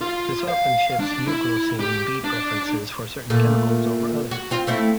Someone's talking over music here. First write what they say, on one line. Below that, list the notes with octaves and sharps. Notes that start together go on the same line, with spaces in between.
This often shifts euglossine bee preferences for certain chemicals over others.
F4
F5
D4
E4
G4
D4
A#2 A3
F#4
C4 F4
A3 C4 E4